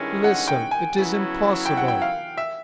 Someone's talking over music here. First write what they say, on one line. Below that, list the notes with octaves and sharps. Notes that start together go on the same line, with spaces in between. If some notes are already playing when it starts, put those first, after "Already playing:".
Listen--it is impossible!
Already playing: G2 D#3 G#3 C#4 E4
F#5
G5
G#5
C#3 F#3 B3 E4
G5
F#5
G5
F5
E5